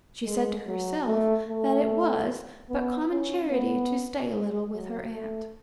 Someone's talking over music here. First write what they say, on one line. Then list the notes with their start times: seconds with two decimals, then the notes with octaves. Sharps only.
She said to herself that it was but common charity to stay a little with her aunt.
0.25 G#3
0.67 F#3
1.07 A3
1.48 A3
2.70 B3
3.11 C#4
3.51 B3
4.33 G#3
4.73 F#3
5.14 A3